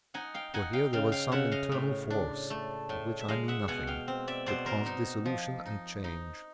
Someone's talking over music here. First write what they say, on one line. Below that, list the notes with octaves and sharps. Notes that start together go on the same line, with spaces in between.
For here there was some internal force, of which I knew nothing, that caused dissolution and change.
D#4 F#5 G#5
F5 G5
D#4 F#5 G#5
F5 G5
C#3 F5 G5
F5 G5
C#3 E5 F#5
D#5 F5
A2
D4
A3
A2
E5
G#3 D#5 F5
E5 F#5
B2 F#5 G#5
F5 G5
C4
D5 E5
B2 C5 D5
A#4 C5
D#4
F3
D#4
D#4